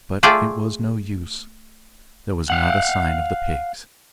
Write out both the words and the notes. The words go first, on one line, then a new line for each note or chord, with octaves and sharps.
But it was no use; there was not a sign of the pigs.
A3 F4 G#4 D5 E5 G5
F5 F#5